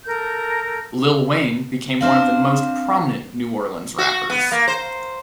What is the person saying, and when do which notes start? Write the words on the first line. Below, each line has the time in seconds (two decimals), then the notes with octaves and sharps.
Lil Wayne became one of the most prominent New Orleans rappers.
0.05 A4 A#4 G6
2.01 C4 D4 C5 F5 F6
3.98 F#4
4.30 B3
4.52 A#3
4.68 C5